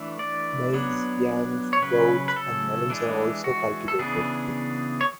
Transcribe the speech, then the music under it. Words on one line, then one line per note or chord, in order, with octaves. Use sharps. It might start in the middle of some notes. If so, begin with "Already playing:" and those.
Maize, yams, gourds and melons are also cultivated.
Already playing: E3 A3 D4
D5
F#3 B3 D4
C#5
C#3 F#3 C#4 B4
B4
A4
E3 G#3 D4
F#4
A4
C#3 E3 B3 D4 G#4
C#5